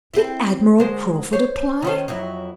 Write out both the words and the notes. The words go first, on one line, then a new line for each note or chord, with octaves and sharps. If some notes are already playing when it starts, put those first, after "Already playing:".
Did Admiral Crawford apply?
C4 E4
D2 G#3 C5
C5 C#5
D#3 C#4 C5
F2 F#3 E4